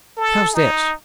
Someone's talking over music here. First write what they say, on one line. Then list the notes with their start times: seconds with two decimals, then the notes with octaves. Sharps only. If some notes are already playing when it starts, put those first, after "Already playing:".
How's this?
0.17 A4
0.55 D#4